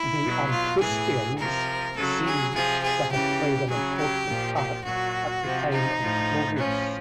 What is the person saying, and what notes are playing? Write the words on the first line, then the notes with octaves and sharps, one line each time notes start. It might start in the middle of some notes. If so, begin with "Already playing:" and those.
The "antrustions" seem to have played an important part at the time of Clovis.
Already playing: E4
B2 F#3
F4
A2 E3 G#4
C3 F3 A#4
C#3 F#3 A4
G#4
C3 F3 G#4
G#4
C#3 E3 G4
C#3 F#3 G#4
G4
A#2 F3
G4
A#2 F#3 F#4
C3 F3
D#4
A2 F3
A2 F3 C#4